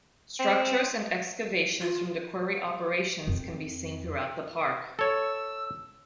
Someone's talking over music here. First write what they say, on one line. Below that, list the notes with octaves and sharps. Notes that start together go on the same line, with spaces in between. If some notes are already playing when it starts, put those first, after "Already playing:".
Structures and excavations from the quarry operations can be seen throughout the park.
C4
F4
F2 C4
A4 C#5 E6